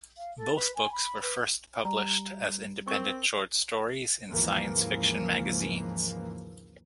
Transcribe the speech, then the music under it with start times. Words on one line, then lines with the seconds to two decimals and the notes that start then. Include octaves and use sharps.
Both books were first published as independent short stories in science fiction magazines.
0.17 F5
0.37 A4
0.55 B4
0.75 G#5
0.92 B5
1.22 B4
1.85 G3 A#5
2.88 C4 A#4 C#6
4.29 D#2 G#2 C#3 E3 F3 A#3